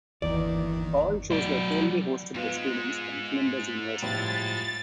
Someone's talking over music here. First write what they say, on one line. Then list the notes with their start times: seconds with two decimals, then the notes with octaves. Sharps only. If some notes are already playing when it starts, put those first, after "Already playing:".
All shows were solely hosted by students from Flinders University.
0.22 G1 D#2 D#3 E3 D5
1.31 F#3 D5
2.35 G#2 G#3 B3 F4
4.02 A2 F3 G3 A6